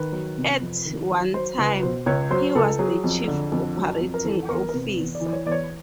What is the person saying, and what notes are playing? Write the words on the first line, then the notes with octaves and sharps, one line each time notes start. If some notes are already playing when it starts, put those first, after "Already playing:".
At one time, he was the chief operating officer.
Already playing: D#3 B4
F#3
C3
F2
D#3
F#3
F#3 C5
C#2 B4
B2 C5
C#2 C#5
F#3 C5
C#2 A4
F#3 G#4
F2
D3
F2
F#3
F2
A#4
E3 A4
E2 A#4
A#4
C3 B4
E2
D5
E3
D5
C#5
E2 D5
C#5